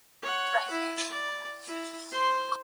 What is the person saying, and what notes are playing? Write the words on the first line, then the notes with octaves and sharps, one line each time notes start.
It is located in Manthani mandal.
C#5 F#5
E4
D5
E4
C5 C6